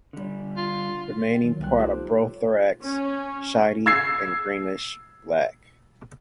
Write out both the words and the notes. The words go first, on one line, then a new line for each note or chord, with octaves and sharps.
Remaining part of prothorax shiny and greenish black.
D3 G3
F4
D#3 F#3
C2 G3 A3 B3 G5 F#6
D#4 F4 G4 A4 C5
C#4
E6 G#6 C7